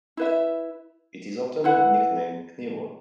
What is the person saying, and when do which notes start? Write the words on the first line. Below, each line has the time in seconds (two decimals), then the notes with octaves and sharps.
It is often nicknamed Knievel.
0.17 E4 B4 E5
1.64 E4 B4 F#5